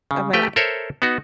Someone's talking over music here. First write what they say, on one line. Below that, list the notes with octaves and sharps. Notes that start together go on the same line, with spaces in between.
of my life."
C#3
A3 G4 B4 G5
A4 A#4 C5 C#5 E5
B3 D#4 F#4